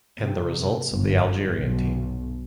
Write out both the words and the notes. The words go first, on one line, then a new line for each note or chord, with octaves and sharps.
And the results of the Algerian team.
C3
G1
B1